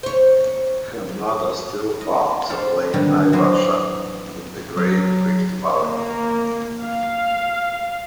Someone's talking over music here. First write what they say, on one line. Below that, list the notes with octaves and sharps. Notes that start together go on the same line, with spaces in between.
Her mother still farms at Lake Naivasha in the Great Rift Valley.
C5 C#5
D#5
F4 G4 A4 C5 F5
B2 D3 D#3 G3 D4 C#5
E3 F#3 G#4 B4 C5 G#5
F#3
A#3
F5